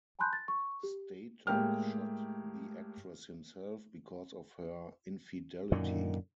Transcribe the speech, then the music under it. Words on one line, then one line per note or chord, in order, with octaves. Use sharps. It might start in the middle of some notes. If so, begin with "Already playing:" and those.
Statoc shot the actress himself because of her infidelity.
G#5 A5 B5 C6 F#6 G6
A6
C#6
G4
A2 G#3 A#3 G4 G5 F6
F#2 A#2 D3 D#3